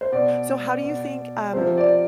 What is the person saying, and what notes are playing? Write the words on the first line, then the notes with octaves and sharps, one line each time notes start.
So how do you think, um, eh,
C5
B2 D5
B2
C3 F3 C5
D5